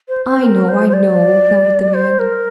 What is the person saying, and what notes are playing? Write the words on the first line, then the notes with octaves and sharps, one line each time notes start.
"I know, I know," nodded the man.
C5
C5
A#4
C5
C5
D5
C5
A#4